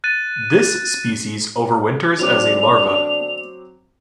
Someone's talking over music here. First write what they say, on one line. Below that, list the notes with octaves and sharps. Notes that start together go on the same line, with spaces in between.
This species overwinters as a larva.
F#6 A6 D#7
D3 F#3 C4 D4 D6 F7